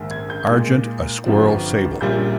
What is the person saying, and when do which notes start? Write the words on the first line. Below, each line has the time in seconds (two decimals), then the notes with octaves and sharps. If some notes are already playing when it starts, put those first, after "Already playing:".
Argent a Squirrel Sable.
Already playing: A#1 G#2 D#3 A#3
0.11 G#6
0.30 G6
0.49 A#2 G#3 D#4
1.25 G1 G2 F3 C4
2.01 A#1 A#2 G3 C#4 F4 G6